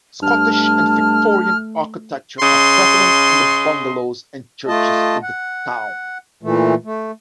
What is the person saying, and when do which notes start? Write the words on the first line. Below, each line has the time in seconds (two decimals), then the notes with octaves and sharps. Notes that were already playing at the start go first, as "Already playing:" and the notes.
Scottish and Victorian architecture are prevalent in the bungalows and churches in the town.
0.22 G2 A3 A5 F6
2.41 C#3 D#5 C6
4.68 A3 F4 D#5 A5
5.23 F#5
6.43 A#2 E3 A3
6.84 A3